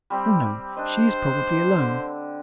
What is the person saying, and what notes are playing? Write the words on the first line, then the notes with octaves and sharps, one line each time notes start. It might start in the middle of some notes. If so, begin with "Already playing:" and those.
"Oh, no; she is probably alone."
G3 C4 G4
D4 C5 D#5
D3